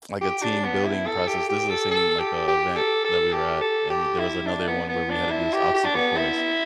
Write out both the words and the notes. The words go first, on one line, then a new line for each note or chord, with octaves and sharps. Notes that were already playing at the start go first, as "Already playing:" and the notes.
like a team building process this is the same, like, uh, event that we were at, and we there was another one where we had to do this obstacle course,
G4
D4
B3
E4
A4
G4
G4
A4
A4
G4
G4
A4
A4
G4
A4
G4
E4
D4
B3
B3
D4
E4
G4
G4
D4
B3
E4